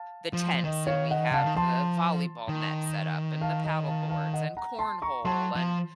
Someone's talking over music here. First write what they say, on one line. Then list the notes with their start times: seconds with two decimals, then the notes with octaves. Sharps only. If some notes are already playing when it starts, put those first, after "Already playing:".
the tents and we have the volleyball net set up, and the paddle boards, and cornhole, and,
Already playing: F5 A5
0.33 F3
0.54 F3
0.64 D#3 D#5
0.87 C#5 F5
1.10 D#5 F#5
1.31 C#3 F5 A5
1.44 D#3
1.56 F3 A5 C6
2.48 D#3
3.41 F5 A5
3.64 D#5
3.87 F5 A5
4.10 F5 A5
4.33 D#5 F#5
4.57 F#5 A#5
4.79 A5 C6
5.02 A#5 C#6
5.25 F#3 A5 C6
5.56 F3